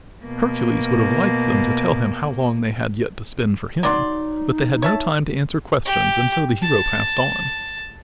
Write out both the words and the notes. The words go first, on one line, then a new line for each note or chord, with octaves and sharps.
Hercules would have liked them to tell him how long they had yet to spin for him, but they had no time to answer questions and so the hero passed on.
B2 A#3
F#3 D#4 D5 C6
C#5 E5 A5
G4
A5